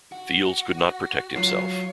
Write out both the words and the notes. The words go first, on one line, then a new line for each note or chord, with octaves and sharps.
Fields could not protect himself.
F#4
F#3 F4 C#5 C7